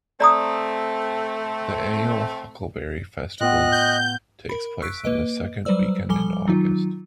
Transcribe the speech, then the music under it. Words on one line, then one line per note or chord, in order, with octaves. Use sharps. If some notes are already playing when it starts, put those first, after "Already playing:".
The annual Huckleberry Festival takes place on the second weekend in August.
A3 C4 D5 A#5 D#6
A2 B3 F4 D#5 F#5 G5 F#6
G6
A#4 B5
C#6 E6 F#6 B6 D7
A#3 B4 D#5 D7
F#3 G3 B4 C5 D5 E6
F3 G3 A4 G#5 D6 G7
D#3 F#3 D#4 F4